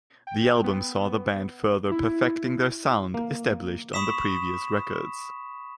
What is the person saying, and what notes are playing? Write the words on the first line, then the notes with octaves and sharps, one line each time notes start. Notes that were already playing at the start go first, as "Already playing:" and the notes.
The album saw the band further perfecting their sound established on the previous records.
G5
B3
E4
A#3
B5 C#6 D#6 B6 E7